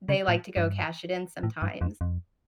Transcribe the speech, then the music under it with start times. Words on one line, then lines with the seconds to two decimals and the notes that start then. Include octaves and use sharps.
they like to go cash it in sometimes,
0.09 C#3
0.28 A2
0.57 G2
1.43 A2
1.62 G2
1.81 F2
2.01 F2